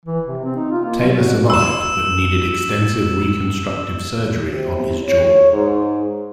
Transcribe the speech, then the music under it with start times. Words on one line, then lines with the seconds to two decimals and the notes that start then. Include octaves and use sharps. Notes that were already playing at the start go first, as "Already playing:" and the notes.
Taylor survived, but needed extensive reconstructive surgery on his jaw.
0.05 E3
0.26 C3
0.45 C4
0.56 D#4
0.71 F4
0.85 A#3
1.02 F#3
1.18 F#4
1.50 E6 E7
4.52 C3
5.04 C#5
5.52 G#2